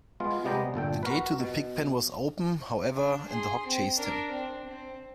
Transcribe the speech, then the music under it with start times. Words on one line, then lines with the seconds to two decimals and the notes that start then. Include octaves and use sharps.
The gate to the pigpen was open, however, and the hog chased him.
0.20 G#3 B3 F4
0.45 C3 G#3 B3 D5 G5 A#5
0.74 G1 A#2 A4 G5
1.03 F#4 A#4 B4
1.40 B2
2.94 D4
3.27 G#4 C6
3.66 C4
3.95 D4 A#4
4.29 C4 D4
4.66 C4